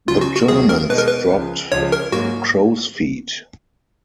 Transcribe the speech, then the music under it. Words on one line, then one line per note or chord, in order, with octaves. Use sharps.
The Germans dropped "crowsfeet".
C#2 C#3 F#3 F4
F#4
F#4
D#2 D#3 F#3 A#3 G#4
A#4
B2 G#3 D#4 B4
A#4
B4
C#2 C#3 F3
C#2 C#3 F3 C#5
A#4
G#2 F#3 A#3 F#4